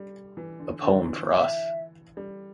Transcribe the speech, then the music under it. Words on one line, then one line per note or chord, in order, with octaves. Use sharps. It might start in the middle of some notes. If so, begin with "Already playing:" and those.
A poem for us.
Already playing: G3
E3
D3
D3
E3
E5
G3